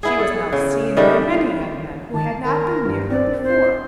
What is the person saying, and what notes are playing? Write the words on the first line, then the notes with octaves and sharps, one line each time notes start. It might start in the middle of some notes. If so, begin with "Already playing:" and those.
She was now seen by many young men who had not been near her before.
B3 E4 G#4
A4
C#3
D#3 G3 A3 D4
D#3 A5
A#4
G2
C4 D5
C5